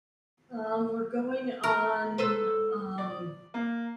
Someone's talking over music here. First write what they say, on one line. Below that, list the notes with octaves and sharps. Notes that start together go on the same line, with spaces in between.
Um, we're going on, um
A#4
A4 B4 C5
D5
A#3